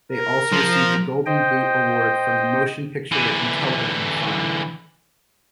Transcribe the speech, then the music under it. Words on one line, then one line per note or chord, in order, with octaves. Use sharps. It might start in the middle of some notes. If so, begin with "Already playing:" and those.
They also received a Golden Boot Award from the Motion Picture and Television Fund.
A#4
F3
C5 D#5 G5
D3 E3